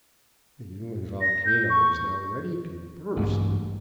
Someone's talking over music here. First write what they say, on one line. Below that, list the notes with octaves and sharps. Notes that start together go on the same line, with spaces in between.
The human volcano was now ready to burst.
A#6
G6
C#6
A1 G2 A#3